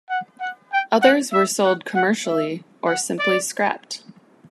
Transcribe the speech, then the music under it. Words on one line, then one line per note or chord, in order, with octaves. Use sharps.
Others were sold commercially or simply scrapped.
F#5
F#5
G5
F#5
E5
F#5
F#5
E5
F#5
D5